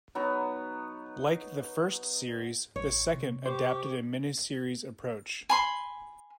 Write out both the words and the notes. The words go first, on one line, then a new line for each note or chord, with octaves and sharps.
Like the first series, the second adapted a mini-series approach.
F#3 B3 D#4
A1 C#5
C3
G4 C5 C#6 D6
G#5 B5 C6